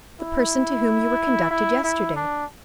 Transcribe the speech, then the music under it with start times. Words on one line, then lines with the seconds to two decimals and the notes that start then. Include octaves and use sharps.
"The person to whom you were conducted yesterday."
0.20 E4
1.51 E4
1.84 E4
2.16 D4